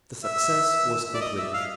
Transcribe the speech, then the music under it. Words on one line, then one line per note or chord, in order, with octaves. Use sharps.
The success was complete.
E5
D5
D#5
E5
F5